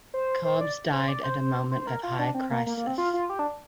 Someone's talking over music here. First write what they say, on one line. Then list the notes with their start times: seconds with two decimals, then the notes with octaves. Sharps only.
Cobbs died at a moment of high crisis.
0.14 C5
0.45 C5
0.61 D5
0.93 C5
1.08 D5
1.24 C5
1.39 C5
1.71 C5
1.81 C5
1.87 A#4
2.03 F4
2.19 D4
2.34 C4
2.51 A#3
2.66 A#3
2.77 A#3
2.87 C4
2.98 F4
3.13 F4
3.29 G4
3.39 D4